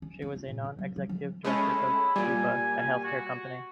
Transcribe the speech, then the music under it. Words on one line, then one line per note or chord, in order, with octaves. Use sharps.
She was a non-executive director of Bupa, a healthcare company.
C#4
C4
F4
A#2
C#3
F#3
F#3
F3
G#3 A3 C#4 E4
A#2 G3 G#5
F#4